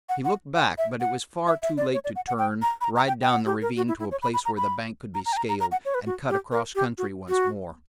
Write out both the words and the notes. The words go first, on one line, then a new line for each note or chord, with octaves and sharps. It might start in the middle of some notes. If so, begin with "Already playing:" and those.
He looked back, but it was far too late to turn, ride down the ravine to a place where the bank could be scaled, and cut across country once more.
F#5
F#5
F#5
E5
F#5
E5
E5
D5
C#5
D5
F#5
F#5
G5
A#5
B5
A#5
A#5
G5
G5
F#5
G4
A#4
F#4
E4
E4
C#5
B5
B5
A#5
B5
A#5
A#5
G5
A#5
A#5
A#5
F#5
C#5
B4
F#4
G4
A#4
G4
F#4
F#4